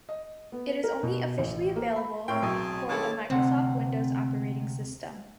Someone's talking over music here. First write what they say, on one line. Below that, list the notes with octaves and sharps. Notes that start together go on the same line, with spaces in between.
It is only officially available for the Microsoft Windows operating system.
D#5
B3
A#4
B2
A1
A#3
B5
A2 C4 A#4 C#5 G5 C6
B1 G#4 D#5 G#5 A5 D#6
D#3 C#4 E4 G#4 A4 A5 D6
D2 C3 C4 F#5